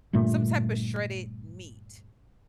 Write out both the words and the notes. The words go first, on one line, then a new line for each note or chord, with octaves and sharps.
Some type of shredded meat,
G1 G2 A#2 A3